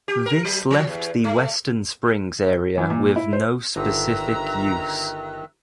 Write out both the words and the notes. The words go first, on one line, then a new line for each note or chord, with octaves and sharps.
This left the Western Springs area with no specific use.
G4
A#4
F#3
F3
E2
A3
E3
A#2
E4
C5
G1 D3 D#3 D#4 E5 A#5 E6 F#6